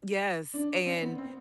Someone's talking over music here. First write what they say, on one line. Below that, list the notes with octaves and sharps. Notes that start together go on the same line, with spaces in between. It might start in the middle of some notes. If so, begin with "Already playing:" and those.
Yes, and
D4
C4
B3
C4